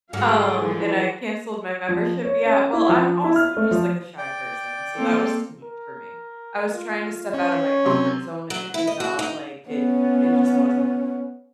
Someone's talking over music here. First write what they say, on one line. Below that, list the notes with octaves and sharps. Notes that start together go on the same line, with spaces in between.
Um, and I cancelled my membership. Yeah. Well, I'm also just, like, a shy person, so that was too much for me. I was trying to step out of my comfort zone and it did not, like it it just wasn't
G#2 D3 G3 F#4 G#4 F5 G5
E3 F3
F3
C#5
C#4
E4
F3
E4
F6
A3
F3
D5 G5
A#3 C4 A4
A#4
F4
C#4 C#5
C3 F#3 C6
F#3
E4
D#5
F#4
D#4
B3 C#4